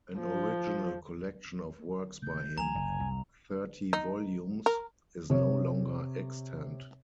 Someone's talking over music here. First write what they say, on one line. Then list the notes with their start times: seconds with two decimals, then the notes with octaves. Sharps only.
An original collection of works by him, in thirty volumes, is no longer extant.
0.19 F3
2.22 C#3 A3 G6
2.58 C#2 E3 F#3 G#5 A#5 F7
2.75 F#1 C2
3.00 F#1 C2
3.93 D#4
4.66 A#4
5.30 C3 C#5